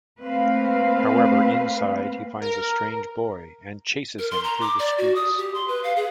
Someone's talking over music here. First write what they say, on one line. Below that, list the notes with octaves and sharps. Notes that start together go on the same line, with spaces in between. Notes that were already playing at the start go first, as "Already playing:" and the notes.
However, inside he finds a strange boy, and chases him through the streets.
A3 A#3 C4 B4 F5
A#4
A#4
C6
A#5
D6
D5
F#4
D#6
G4
C6
B4
F5
G#4